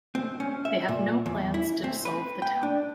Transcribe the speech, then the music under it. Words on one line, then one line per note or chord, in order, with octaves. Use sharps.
They have no plans to dissolve the town.
C4
C#4
E5
A#2
E2
E4
C4
B4
G5
D4